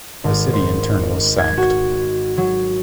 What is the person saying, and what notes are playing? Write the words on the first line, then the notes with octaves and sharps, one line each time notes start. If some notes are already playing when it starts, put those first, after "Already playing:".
The city in turn was sacked.
G#1
C5
G#6
F#4
F#3